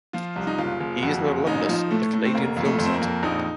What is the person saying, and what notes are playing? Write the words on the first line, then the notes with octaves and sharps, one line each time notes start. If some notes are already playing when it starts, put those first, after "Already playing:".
He is an alumnus of the Canadian Film Centre.
F3 F4
C2
D#4
F#1 F4
F#1
F2 F#4
F#1
A1 D#4
F3
A2 A3
A2
C4
F1 A#3
F2
A3
F2
C4
A#3
F2
A#1 D#4